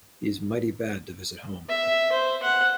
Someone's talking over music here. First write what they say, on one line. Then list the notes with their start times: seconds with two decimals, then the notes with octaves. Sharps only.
He's mighty bad to visit home.
1.69 E5
2.12 C5
2.43 F#5